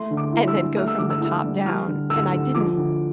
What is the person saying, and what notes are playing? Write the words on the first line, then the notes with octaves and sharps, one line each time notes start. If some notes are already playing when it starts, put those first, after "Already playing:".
and then go from the top down. And I didn't
Already playing: A3 C6
D3
D6
E4
E6
G2
A3 F6
E6
D3 D6
E6
E4 E6
G2
G3 F6
D3
D2 E6
D2
F3 D6
D3